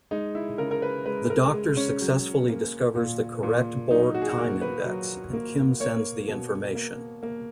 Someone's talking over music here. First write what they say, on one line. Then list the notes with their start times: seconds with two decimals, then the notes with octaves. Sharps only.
The Doctor successfully discovers the correct Borg time index, and Kim sends the information.
0.11 G#3 D#4
0.35 E4
0.58 C#3 A#4
0.71 A#4
0.82 B4
1.06 G#3 B4
1.30 A#4
1.53 G#3
1.77 C#4
2.01 F#3
2.48 A#3
2.96 A#2
3.43 A#2
3.91 F#3 D#4
4.14 F#4
4.22 G#4
4.29 F#4
4.38 A#3 A#4
4.61 B4
4.85 F#3
5.33 A#3
5.80 A#3 C#5
6.28 B2
6.75 A#3
7.23 A#3